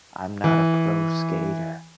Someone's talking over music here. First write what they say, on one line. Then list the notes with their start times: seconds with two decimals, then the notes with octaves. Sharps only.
I'm not a pro skater,
0.44 E3